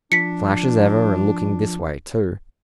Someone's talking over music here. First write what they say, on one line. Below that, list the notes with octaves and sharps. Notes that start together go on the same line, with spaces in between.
"Flash as ever, and looking this way, too."
F3 D4 B6 C#7